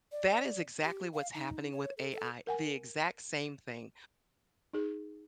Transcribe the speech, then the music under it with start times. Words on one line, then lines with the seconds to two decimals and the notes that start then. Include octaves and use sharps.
that is exactly what's happening with AI, the exact same thing.
0.12 D5
0.84 G4
1.13 F5
1.35 D#4
1.73 C#5
1.97 A4
2.12 A4
2.47 A#4 F#5 G#5
4.73 D#4 G#4